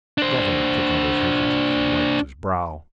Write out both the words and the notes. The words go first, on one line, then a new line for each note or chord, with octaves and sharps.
The governor took out his handkerchief and wiped his brow.
D4 C5